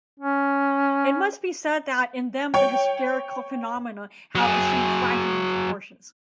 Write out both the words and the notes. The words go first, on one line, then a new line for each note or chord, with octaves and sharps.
It must be said that in them the hysterical phenomena have assumed frightening proportions.
C#4
C#5 G5
F#3 G#4